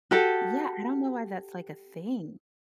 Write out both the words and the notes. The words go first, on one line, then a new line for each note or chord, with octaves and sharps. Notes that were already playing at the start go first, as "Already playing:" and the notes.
Yeah, I don't know why that's, like, a thing.
F#4 G4 A4